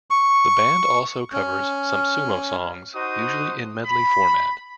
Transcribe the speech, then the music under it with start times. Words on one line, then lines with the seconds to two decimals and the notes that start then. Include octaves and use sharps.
The band also covers some Sumo songs, usually in medley format.
0.10 C#6
1.33 C#4
2.94 D#4 F#4 C5 D#6
3.85 B5